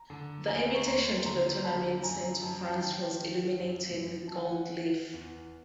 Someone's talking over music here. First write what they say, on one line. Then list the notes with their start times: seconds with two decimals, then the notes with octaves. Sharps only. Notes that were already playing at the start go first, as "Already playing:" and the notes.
The invitation to the tournament sent to France was illuminated with gold leaf.
Already playing: A#5
0.10 D3
0.48 D#2 G#5 A#5
0.75 C#6
0.86 D#2 A#5 C6
1.25 D3 A#5 C6
1.64 D3 A5 B5
2.03 F#2 G#5 A#5
2.41 F#2 A5
2.54 A#5
2.65 G5 A5
2.80 D#3 G5 A5
3.19 D#3
3.58 F#2
3.97 F#2
4.27 A5
4.35 D#3 F#5 G#5
4.74 D#3
5.13 E2